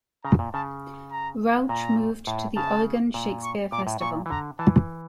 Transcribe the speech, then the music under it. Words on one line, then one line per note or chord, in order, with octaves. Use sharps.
Rauch moved to the Oregon Shakespeare Festival.
C#3 A#5
A#2
C#3 A5
A#5
A#2 A#5
A2
C#3 A5
A#2
C#6
A#2 D6
A2
A#2 C#6
E3
D3 A#5
E3 A5